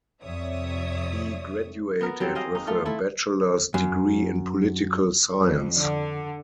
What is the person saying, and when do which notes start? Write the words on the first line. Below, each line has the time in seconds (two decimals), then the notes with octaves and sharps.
He graduated with a bachelor's degree in political science.
0.23 F2 C3 C#5 D5 E5 D#6
2.01 B3 A#4
2.20 F#3 G3 C4
2.35 G#4 C5 D#5 F5
2.55 D#4
2.67 A3 F4
2.85 A3 E4
3.74 F#2
5.41 F2
5.77 D3